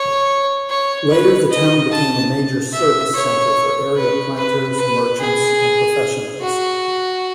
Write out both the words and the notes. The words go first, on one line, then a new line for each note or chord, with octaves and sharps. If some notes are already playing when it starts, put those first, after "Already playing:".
Later, the town became a major service center for area planters, merchants and professionals.
Already playing: C#5
C#5
B4
D#5
A5
E5
C#5
B4
B4
B4
G#4
F#4